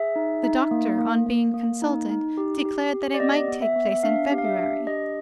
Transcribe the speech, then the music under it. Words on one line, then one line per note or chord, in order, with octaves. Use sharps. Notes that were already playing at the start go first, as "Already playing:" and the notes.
The doctor, on being consulted, declared that it might take place in February.
Already playing: G#4 E5
D#4
D#4
A#3
A#3
A#3
A#3
D#4
D#4
G4
G4
G4
D5
B3 D#5
B3
E5
B3
E5
D4 F5
G4
F5
E5
D4
G4 D#5